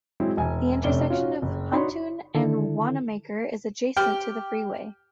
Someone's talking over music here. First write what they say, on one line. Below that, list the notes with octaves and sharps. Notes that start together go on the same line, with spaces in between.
The intersection of Huntoon and Wanamaker is adjacent to the freeway.
F#3 G#3 C4 E4
E1 G#5
F1 C3 C#4 D5 G7
C#4 F4 F#4
F#1
D4 D#4 F#4 C#5 B5 C6
D3 D#3 E4 A4
G4 G5 F6